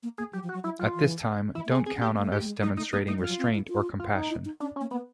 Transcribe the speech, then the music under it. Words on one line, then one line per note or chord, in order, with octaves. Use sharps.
At this time, don't count on us demonstrating restraint or compassion.
A#3
A#3 G#4
F#3 G4
F3
F#4
F#3
F#3 E4
F#3 F4
E3
E3 E4
A#3
G#4
B3
C4 G#4
C#4
G4
A#3
A3
G4
A3
G#3
G3 D#4
A3 D#4
A#3 D#4
A3 D#4
G3
F#3 F4
C4
E4
F4
F4
D#4
E4
D#4
C#4 D4
C#4
A#3
A#3 B3